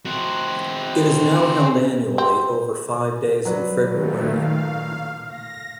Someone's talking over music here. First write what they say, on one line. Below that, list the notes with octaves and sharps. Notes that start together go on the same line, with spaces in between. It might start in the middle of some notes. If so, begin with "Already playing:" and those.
It is now held annually over five days in February.
C4 F#4
C4
F#3 B4 D5
A#2 D#3 A3
F5
A#6